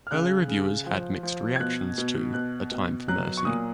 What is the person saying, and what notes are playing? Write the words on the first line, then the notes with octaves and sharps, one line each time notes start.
Early reviewers had mixed reactions to "A Time for Mercy".
F6
C#3 F#6
C#3
F3
F3
G#6
B2 F#6
B2
B2 F#6
B2
F#3 F#6
C#6
A#2 D#6